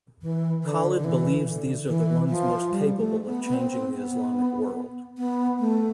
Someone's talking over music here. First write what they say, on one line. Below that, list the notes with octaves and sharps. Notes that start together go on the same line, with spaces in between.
Khaled believes these are the ones most capable of changing the Islamic world.
E3
D3
D3
E3
D3
E3
F3
G3
A3
B3
B3
C4
B3
B3
A3